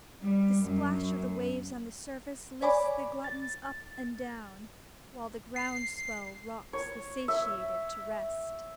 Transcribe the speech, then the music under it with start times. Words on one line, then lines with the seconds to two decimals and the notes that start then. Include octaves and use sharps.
The splash of the waves on the surface lifts the gluttons up and down, while the ground-swell rocks the satiated to rest.
0.20 G3
0.60 F#2
2.62 C#5 D5 G#5 B5 D6
3.24 A6
5.56 C7
6.73 C#5
7.28 E5